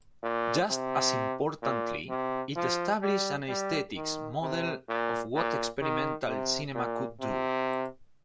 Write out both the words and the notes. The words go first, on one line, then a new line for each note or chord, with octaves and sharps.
Just as importantly, it established an aesthetic model of what experimental cinema could do.
A#2
C3
A#2
C3
F3
G3
G3
D#3
C3
A#2
A#2
D#3
C3
A#2
C3